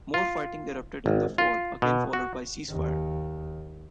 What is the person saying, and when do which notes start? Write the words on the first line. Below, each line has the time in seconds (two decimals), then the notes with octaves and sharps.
More fighting erupted in the fall, again followed by a ceasefire.
0.14 F4
1.06 G#1
1.38 F4
1.82 B2
2.13 F#4
2.69 D#2